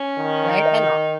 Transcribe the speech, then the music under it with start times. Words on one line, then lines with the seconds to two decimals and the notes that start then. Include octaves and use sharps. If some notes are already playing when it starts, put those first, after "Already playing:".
Right, and hon
Already playing: C#4
0.18 D#3
0.50 D#4